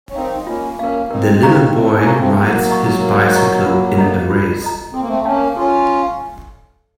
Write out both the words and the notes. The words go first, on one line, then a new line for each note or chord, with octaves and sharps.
The little boy rides his bicycle in a race.
C#4
C4 D#4 A#4 F5
D#4
A#3 C#4 F4
A#3 C#4 A#4 F5
C4 D#4 A#4
C4 D#4 F5 A#5 C#6
A3 C4 A#4
A#3 C#4
F5 A#5 C#6
A3 C4
A3
F#3 A#3 A#4
D#5 A#5 C#6
A#4
D#5 A#5 C#6
F4
A4 D#5 A#5
F4
A4 D#5 A#5
C4 A4
A#3
A3 C4
A#3 C#4 C#5 F5 A5
C#4 F4 A4